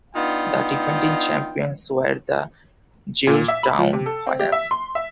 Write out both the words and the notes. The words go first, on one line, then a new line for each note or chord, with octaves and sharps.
The defending champions were the Georgetown Hoyas.
B3 D4 D#4 F4 G5
A#2
E5
B5
F3
C3
A4
C4
G4
E5
C6
E5